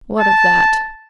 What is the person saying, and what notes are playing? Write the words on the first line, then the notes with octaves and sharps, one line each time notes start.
What of that?
A5